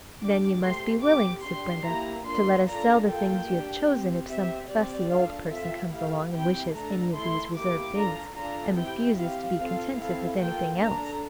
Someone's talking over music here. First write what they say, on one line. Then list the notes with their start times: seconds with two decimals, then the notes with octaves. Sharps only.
"Then you must be willing," said Brenda, "to let us sell the things you have chosen, if some fussy old person comes along and wishes any of these reserved things, and refuses to be contented with anything else."
0.22 D4 G4 D6
0.62 A3 C4 G4 C6
1.03 C4 G4 D6
1.43 D4 G4 C6
1.85 A#3 E4 G4 A#5
2.25 A#3 D4 F4 C6
2.66 D4 F4 A4 A#5
3.07 A#3 F4 A4 G5
3.47 D4 G4
3.88 C4 G4
4.28 C4 G4 E5
4.69 C4 G4 D5
5.10 D4 F4 A4 F5
5.50 C4 F4 A4 E5
5.91 A3 E4 G4 F5
6.32 C4 E4 G4 G5
6.73 A3 D4 A4 A#5
7.14 A3 E4 A4 C6
7.54 A#3 E4 G4 D6
7.95 D4 F4 A4 A#5
8.36 D4 F4 A4 A#5
8.76 C4 E4 G4 G5
9.17 C4 G4 F5
9.58 C4 F4 A4 F5
9.98 C4 E4 A4 F5
10.39 A#3 F4 A4 G5
10.80 D4 A4 A#5